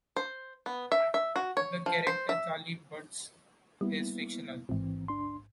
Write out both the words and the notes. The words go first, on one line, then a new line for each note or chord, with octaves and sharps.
The character Charlie Butts is fictional.
C5
B3
E5
E5
F#4
C#5
F3
C5
E5
G3 A#3 B3 E4
A1 G#2 E3 C4
D2 D4 C6